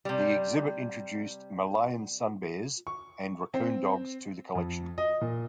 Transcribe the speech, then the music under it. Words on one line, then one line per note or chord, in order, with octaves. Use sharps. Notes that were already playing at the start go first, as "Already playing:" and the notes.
The exhibit introduced Malayan sun bears and raccoon dogs to the collection.
C3 G3
C#6
C4
F2
D#5
A#2